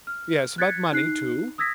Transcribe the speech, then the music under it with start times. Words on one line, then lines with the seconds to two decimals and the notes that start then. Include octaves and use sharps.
"Yes, about money, too."
0.07 F6
0.58 F#6 G#6 A6 B6 C#7
0.92 D#4 F#6 C7
1.58 D#6 E6 G#6 A#6 B6